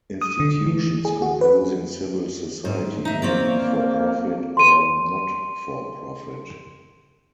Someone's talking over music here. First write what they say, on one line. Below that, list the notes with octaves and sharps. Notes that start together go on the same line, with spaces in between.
Institutions composing civil society may be for-profit or not-for-profit.
D#6
D3
E3
G#4
F#4
B4
G#2
D#4 E5
A#3 C4 C#5 D5
C6 D#7